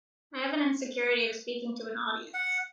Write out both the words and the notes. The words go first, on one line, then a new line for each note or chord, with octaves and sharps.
I have an insecurity of speaking to an audience.
F#5